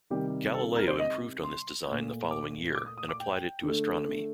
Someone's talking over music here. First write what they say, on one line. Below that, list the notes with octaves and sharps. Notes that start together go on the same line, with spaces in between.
Galileo improved on this design the following year and applied it to astronomy.
C3 D#3 G3 G4
A4
A#4
C5
D#5
C6
A#2 A3
D6
D6
D#6
D#6
D6
G5
D3 A3